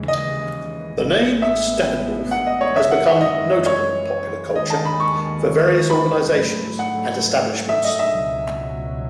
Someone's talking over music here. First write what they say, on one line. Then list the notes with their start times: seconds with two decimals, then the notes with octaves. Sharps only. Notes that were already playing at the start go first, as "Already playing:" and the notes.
The name "Steppenwolf" has become notable in popular culture for various organizations and establishments.
Already playing: D#2 C#3 E3 G#3
0.08 D#5
0.97 A1 A2 G#3 B3
1.42 E5
2.31 F#5
2.47 D#5
2.61 C#5
2.76 F#2 E3 G#3 E5
2.91 F#5
3.06 E5
3.21 D#5
3.66 C#5
4.55 D#2 D#3 G#3 D#5
4.70 A5
4.85 B5
5.00 C#6
5.90 B5
6.34 G#2 F#3 A3
6.79 F#5
7.69 E5
7.84 D#5
7.99 E5
8.13 C#2 B2 F#3